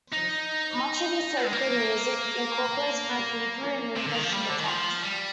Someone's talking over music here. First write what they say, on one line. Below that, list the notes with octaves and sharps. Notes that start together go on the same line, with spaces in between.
Much of his sacred music incorporates both Hebrew and English in the text.
D#4
G#3
A#3
C3
D3
D#3
F3
G3
D3
D#3
F3
G3